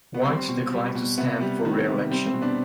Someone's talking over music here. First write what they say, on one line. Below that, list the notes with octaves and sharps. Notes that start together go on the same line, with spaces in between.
White declined to stand for reelection.
B3
G3 C4
B2
G3
B2
C3 B3
G3
D#3
C3
G3 C4
C4
B2
B3 D4